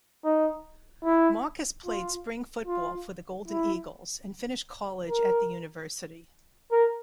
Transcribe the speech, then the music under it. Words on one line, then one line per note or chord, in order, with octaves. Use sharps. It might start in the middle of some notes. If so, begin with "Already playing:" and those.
Marcus played spring football for the Golden Eagles and finished college at the university.
D#4
E4
F4
F4
E4
A#4
A#4